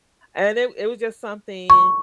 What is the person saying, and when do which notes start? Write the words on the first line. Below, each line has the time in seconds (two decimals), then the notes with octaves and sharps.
And it it was just something
1.70 C#6